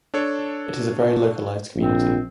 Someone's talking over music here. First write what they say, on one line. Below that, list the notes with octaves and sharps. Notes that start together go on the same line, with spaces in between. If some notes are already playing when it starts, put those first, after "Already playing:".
It is a very localised community.
D4 A4 C#5
A#1 C4